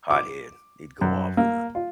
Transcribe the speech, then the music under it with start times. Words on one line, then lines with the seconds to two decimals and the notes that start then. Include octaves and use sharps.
hothead, he'd go off in a
0.11 D6
1.01 F#2
1.37 A#3
1.75 F4